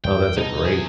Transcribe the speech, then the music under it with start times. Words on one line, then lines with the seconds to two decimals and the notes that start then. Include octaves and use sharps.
Oh, that's a great
0.04 E2 G5
0.37 B2 D3 G3 D#4
0.65 E2 G#4